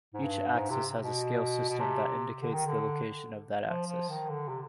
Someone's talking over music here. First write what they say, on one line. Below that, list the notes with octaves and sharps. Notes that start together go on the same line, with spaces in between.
Each axis has a scale system that indicates the location of that axis.
G#2
G2
G#2
C3
B2
B2
C3
D3
D#3
D3
F3
F3
D#3
D3
C3